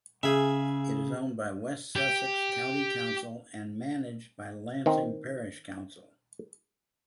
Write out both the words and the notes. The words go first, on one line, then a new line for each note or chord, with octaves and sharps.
It is owned by West Sussex County Council and managed by Lancing Parish Council.
C#3 G#4 E5
G4
D#3 C4